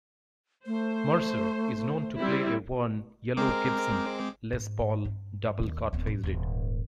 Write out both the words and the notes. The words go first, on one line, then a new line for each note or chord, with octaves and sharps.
Mercer is known to play a worn yellow Gibson Les Paul Double cut faded.
A3 C5
G3 C4 E4
G#3 C4 A#4 D6
G#2
G2
D#2
D1 B3
G#2
D#1 G#2